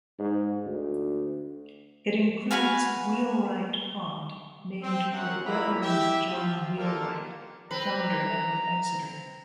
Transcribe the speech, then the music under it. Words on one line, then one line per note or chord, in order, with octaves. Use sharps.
It includes Wheelwright Pond, named for the Reverend John Wheelwright, the founder of Exeter.
G#2
D2
F#4 B4 F5 G#5
C4
F#2 F#5
A#2 A#3 E4 B4 A#5 B5
E4 G4 E5
F3 C4 F4
G3 A#3 F4 A4 A#4
C4 B4 A#5